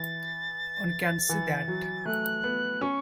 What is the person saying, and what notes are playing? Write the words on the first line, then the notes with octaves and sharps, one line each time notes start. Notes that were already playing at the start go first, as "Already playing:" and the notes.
One can see that.
Already playing: E3 A6
E3
F#3
A3 F#6
B3
C#4 C#6